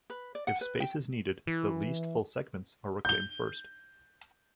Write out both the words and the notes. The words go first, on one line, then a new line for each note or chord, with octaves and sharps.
If space is needed, the least-full segments are reclaimed first.
B4
D5
F#5
B4
G5
E3
G6 G7